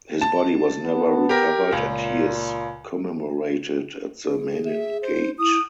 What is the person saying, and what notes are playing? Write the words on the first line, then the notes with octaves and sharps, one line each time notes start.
His body was never recovered and he is commemorated at the Menin Gate.
A5
B3
G4 A#4
C#2 A#2
G#4
E5
C5
E4 D#6